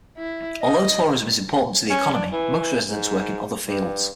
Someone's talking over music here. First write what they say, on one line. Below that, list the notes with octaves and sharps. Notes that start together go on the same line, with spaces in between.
Although tourism is important to the economy, most residents work in other fields.
E4
D#5
C#4
D4
E3
G#2
G2